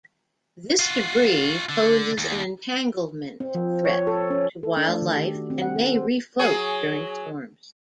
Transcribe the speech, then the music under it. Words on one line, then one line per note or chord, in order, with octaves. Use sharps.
This debris poses an entanglement threat to wildlife and may refloat during storms.
F4 F#4
D3
D#2
C4
F3
C#5
A4
C#4
A4
D4
A3
D#3
G4
F#4
C4
F#5
A4
C5
F#3 G#4 C#5